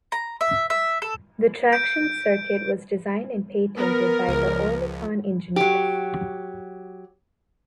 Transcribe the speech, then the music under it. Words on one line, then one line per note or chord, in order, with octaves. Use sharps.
The traction circuit was designed and patented by the Oerlikon engineers.
A#5
E5
E5
A4
G6 D7
B3 A#4
C#2 F3
F#3 G4